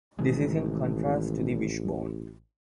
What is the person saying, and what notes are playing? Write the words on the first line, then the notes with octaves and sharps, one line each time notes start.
This is in contrast to the wishbone.
A1 C3 D#3 G#3